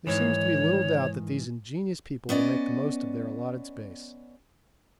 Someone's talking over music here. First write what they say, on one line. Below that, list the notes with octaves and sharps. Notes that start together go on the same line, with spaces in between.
There seems to be little doubt that these ingenious people will make the most of their allotted space.
G#2 D#3 E3 C#5
B3 C#4 D5 D#5